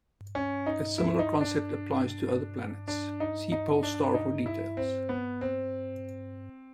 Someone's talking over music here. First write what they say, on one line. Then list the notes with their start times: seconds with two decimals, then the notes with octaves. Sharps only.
A similar concept applies to other planets; see pole star for details.
0.35 C#4
0.66 D#4
0.98 E4
1.19 D#4
1.41 D4
2.88 D4
3.20 D#4
3.52 D#4
3.83 D4
4.14 D#4
4.46 E4
4.77 C4
5.09 B3
5.41 C4